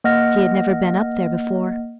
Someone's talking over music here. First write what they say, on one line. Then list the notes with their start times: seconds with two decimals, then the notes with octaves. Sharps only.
She had never been up there before.
0.04 A#3 D#5 F#5 F6 A#6